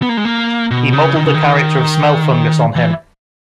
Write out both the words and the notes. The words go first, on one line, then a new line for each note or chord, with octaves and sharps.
He modeled the character of Smelfungus on him.
B3
A#3
G#3
A#3
B2
C#3
D#3
C#3
D#3
E3